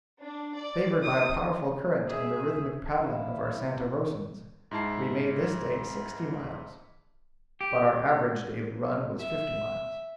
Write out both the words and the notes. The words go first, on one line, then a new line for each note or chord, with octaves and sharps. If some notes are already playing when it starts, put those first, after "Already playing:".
Favored by a powerful current and the rhythmic paddling of our Santa Rosans, we made this day sixty miles; but our average daily run was fifty miles.
D4
D5
D#6
G#4 E5
E4 F5
G#2 E4 A5 C7
G4
E5